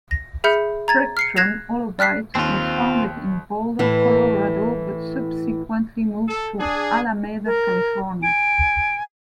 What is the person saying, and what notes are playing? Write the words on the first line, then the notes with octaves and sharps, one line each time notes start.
Spectrum HoloByte was founded in Boulder, Colorado but subsequently moved to Alameda, California.
A#6
G#4 E5 B5 F6 G6 C#7
A#5 G#6 A6
F6 C7 C#7
F#6 G#6 A#6 C7 E7 F7
D5 F6 F#6 B6 C7
D#2 C4 F4
A2 E3
A4
D4 G#4
A#4
G#5 D7